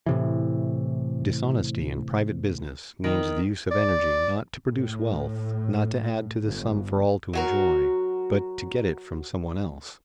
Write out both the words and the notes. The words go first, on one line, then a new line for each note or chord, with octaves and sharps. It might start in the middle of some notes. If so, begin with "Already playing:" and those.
Dishonesty in private business means the use of energy not to produce wealth, not to add to the sum for all to enjoy, but to get it from some one else.
A2 C3 E3
D#3
D5
A2
G1
F#3 F#4 A#4